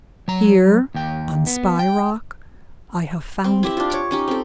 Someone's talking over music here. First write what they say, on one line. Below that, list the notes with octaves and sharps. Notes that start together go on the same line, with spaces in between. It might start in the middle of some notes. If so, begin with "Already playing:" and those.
Here, on Spy Rock, I have found it.
F#3 A#5
D#2 G5
B3
G5
C4
E4 G4 E5
D4 F4
C#5 D6
C#4 D#4 G4
C4 A4